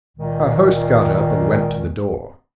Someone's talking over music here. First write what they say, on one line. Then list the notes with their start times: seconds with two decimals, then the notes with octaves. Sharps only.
Our host got up and went to the door.
0.18 C#2 A#2 D#3